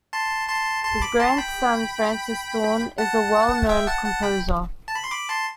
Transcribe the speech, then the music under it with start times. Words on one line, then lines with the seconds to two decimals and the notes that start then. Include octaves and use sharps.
His grandson, Francis Thorne, is a well known composer.
0.13 A5 C6
0.49 A5 C6
0.84 A5 C6
1.02 B5 D6
1.20 A5 C6
1.38 G5 B5
2.98 F#5 A5
3.69 E5 G5
3.87 F#5 A5
4.05 F#5 A5
4.23 G5 B5
4.88 A5
4.95 B5
5.04 C6
5.11 B5 D6
5.29 A5 C6